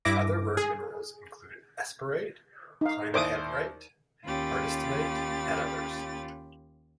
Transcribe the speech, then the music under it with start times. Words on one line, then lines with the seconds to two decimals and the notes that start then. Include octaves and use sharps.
Other rare minerals include esperite, clinohedrite, hardystonite, and others.
0.05 G2 E4 D6 A#6
0.57 G#4
2.81 D#4 F5
3.14 D#2 E4 C5 D5 D6 D#6
4.25 D#2 C#4 F4 G4 B5 A6